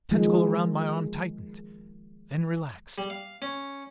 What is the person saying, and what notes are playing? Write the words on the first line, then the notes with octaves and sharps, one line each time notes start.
The tentacle around my arm tightened, then relaxed.
D#3 F3 G#3 A#3
G3
F5
C#4